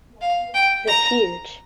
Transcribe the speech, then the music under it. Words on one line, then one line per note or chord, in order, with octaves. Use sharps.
The huge.
F5
G5
A#5